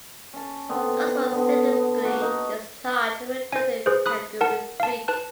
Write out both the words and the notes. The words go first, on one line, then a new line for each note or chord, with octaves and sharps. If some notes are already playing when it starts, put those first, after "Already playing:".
Coutts was subsequently discharged and returned to Kangaroo Creek.
C#4 A5
D3 B3 C4
D3 B3
B3
A#3 F#4
D#4 A5
C5 G#5
G#4 B4 C5
B5 D#6 F#6
A#4 F#5 A5
F5 A5
B4 A5 F#6